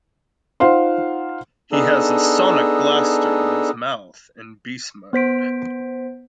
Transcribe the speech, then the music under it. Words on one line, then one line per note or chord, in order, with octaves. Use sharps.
He has a sonic blaster in his mouth in beast mode.
D#4 F4 C5 F5 F#5 C6
B3 D4 D#4 G#4 A4
B3 C5 B6 D7